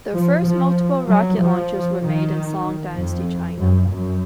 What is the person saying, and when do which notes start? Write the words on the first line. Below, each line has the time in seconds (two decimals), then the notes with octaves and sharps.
The first multiple rocket launchers were made in Song dynasty China.
0.13 F3
0.45 F3
1.07 F#3
1.39 F3
2.02 D#3
2.95 F2
3.58 F#2
3.89 F#2